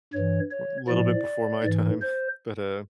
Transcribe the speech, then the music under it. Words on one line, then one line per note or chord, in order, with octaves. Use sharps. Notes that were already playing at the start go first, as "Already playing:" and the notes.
a little bit before my time, but uh,
G2 E3 C#5
C#5
A2 F3 D5
G#2 E3
C5